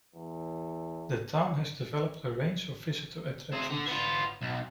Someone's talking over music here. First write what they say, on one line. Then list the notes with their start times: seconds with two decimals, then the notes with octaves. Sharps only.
The town has developed a range of visitor attractions.
0.15 E2
3.52 C4 G#4
3.70 D3
3.87 B3 F4
4.41 B1